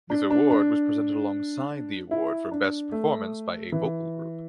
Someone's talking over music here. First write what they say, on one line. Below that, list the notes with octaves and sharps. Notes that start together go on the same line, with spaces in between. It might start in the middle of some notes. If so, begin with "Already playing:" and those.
This award was presented alongside the award for Best Performance by a Vocal Group.
D4
D4
D4
E4
D4
A3
E3